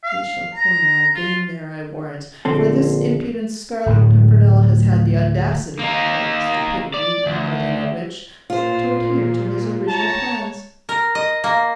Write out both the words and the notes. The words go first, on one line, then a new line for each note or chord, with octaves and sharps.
We shall corner our game there, I'll warrant, for this impudent Scarlet Pimpernel has had the audacity--or the stupidity, I hardly know which--to adhere to his original plans.
F5
A#5
F4
A#1 D3 C4 A4
D1 A2 F#3
A#3 D#4
D5
D2
A#2 F4 C5
C#5 A5 A#5
A#4
D#5
A#3